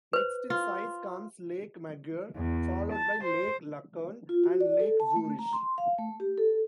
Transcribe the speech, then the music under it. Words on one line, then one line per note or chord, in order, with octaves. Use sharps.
Next in size comes Lake Maggiore, followed by Lake Lucerne and Lake Zurich.
B4 C5
F4
E2
A5
C5
F4
F#4
D5
A4
A5
A3
A#5
C6
F5
A3
G4
A4